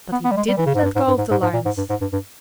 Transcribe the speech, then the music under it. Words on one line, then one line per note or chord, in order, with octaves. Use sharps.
But he didn't let go of the lines!
B3
B3
G3
G#3
G3
E3
C#3
G#2
G2
G#2
G2
G#2
G#2
G#2
A#2
G#2
G2
G#2
G2
G2